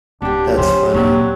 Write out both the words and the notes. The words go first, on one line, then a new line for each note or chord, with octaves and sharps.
That's funny.
D1 B3 D4 G4
E3 F3 C#4 G4 C5
D#1 F#3 C4 D4 G4